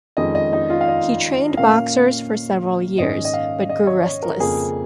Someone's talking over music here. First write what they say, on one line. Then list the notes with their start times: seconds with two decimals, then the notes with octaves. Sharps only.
He trained boxers for several years, but grew restless.
0.17 F2 D#3 G#3 C#4 D#5
0.35 D#5
0.53 D#4
0.70 F4
0.81 F5
0.88 D#5
1.57 A#2 A#3 C#4 F5
2.98 G#2 D#3 C#4 D#5
3.25 D#5
3.34 F5
3.69 D#5
3.87 C#5
4.04 C#5
4.22 A#4
4.40 F2 C#3 A#3 G#4